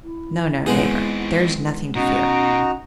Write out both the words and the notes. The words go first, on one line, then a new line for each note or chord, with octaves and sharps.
No, no, neighbor, there's nothing to fear!
E4
G#3 B3 C4 D#4 G#4
B2 C#4 D#4 F#4 A#5